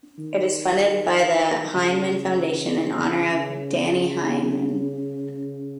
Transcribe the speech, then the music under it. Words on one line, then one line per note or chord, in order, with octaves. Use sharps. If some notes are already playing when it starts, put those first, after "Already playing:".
It is funded by the Heineman Foundation in honour of Dannie Heineman.
D#3
C#3
C#3